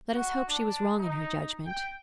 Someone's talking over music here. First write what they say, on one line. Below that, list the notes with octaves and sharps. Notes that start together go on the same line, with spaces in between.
Let us hope she was wrong in her judgement.
F#4
D4
D#4
G5